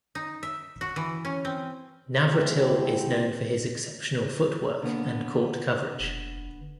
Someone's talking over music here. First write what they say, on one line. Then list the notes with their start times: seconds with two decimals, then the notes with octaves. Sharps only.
Navratil is known for his exceptional footwork and court coverage.
0.15 D#4
0.43 E5
0.81 F#4
0.96 E3
1.25 C#4
1.45 C4
2.28 G#3 A3 B3 C4 E4 G4
4.83 B2 D3 A#3 B3
6.00 F1